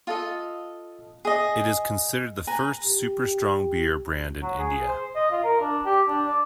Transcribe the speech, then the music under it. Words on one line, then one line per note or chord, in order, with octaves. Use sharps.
It is considered the first super-strong beer brand in India.
F4 A4 D#5
G#4 D#5
B4 G#5 A#5
G4
F#3
G#4
C5
D#5
F4
A#4
D4
G4
D4
D5